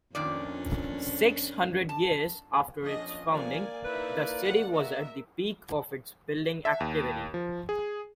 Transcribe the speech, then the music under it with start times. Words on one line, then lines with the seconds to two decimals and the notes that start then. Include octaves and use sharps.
Six hundred years after its founding, the city was at the peak of its building activity.
0.15 F2 A#2 D#3 C#4 D4 D5
1.89 A5
2.81 F2 A#2 F3 C#4 D4 D#5
3.31 D3 F3 A#3 D5 G#5
3.85 D#4 E4 B4 E5
4.38 D3 F#5
4.73 B3 F#4 A#4 D#5 E5
6.65 E5
6.80 D#2
7.34 F3
7.69 G#4